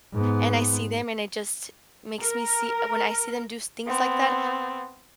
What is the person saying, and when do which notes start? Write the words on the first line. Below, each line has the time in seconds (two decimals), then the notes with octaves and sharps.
and I see them, and it just makes me see when I see them do s things like that,
0.13 G#2 B3
2.21 A#4
3.87 B3 C4